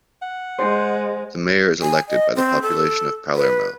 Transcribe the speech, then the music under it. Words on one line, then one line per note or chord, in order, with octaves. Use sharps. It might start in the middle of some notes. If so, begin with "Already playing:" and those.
The Mayor is elected by the population of Palermo.
F#5
G#3 C5
G#5
D#5
C4
A4
B4